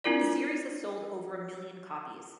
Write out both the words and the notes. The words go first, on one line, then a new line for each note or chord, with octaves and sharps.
The series has sold over a million copies.
C4 D4 E4 F4 A#4 D5